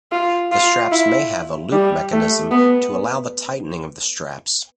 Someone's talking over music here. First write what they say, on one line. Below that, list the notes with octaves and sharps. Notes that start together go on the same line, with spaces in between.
The straps may have a loop mechanism to allow the tightening of the straps.
F4
F4
E4
G3
A3
B3